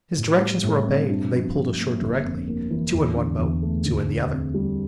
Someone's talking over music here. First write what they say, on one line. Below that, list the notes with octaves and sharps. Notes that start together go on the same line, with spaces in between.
His directions were obeyed, and they pulled ashore directly; two in one boat, two in the other.
A2
G3
A2
C4
G2
F3
G2
A#3
G1
F2
A#3
E3
E2
D3
E2
A3
D2
D3
C4
G3